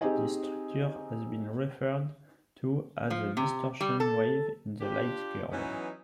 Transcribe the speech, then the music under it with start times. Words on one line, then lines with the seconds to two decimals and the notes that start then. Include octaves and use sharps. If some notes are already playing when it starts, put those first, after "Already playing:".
This structure has been referred to as a distortion wave in the light curve.
0.01 C4 D#4 G4 G#4 D#5 G#5
3.10 F3
3.37 C3
3.81 G3
4.00 A4
4.80 D4 F4 G4
5.52 E3 F#3 B3 C#4 D#4